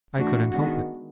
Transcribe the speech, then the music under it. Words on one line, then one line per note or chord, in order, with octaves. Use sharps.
I couldn't help it.
E3 A3 D4 F#4
D#3 G#3 B3 D4 F#4